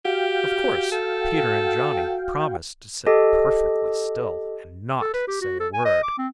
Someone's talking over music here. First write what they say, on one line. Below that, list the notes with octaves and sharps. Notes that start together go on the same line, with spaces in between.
Of course Peter and Johnny promised to sit perfectly still and not say a word.
F#4 G4 F5 G5
A4
G4 A4 D#5
A4
B4
G4
F#4
A4
G#5
D#5
D6
C4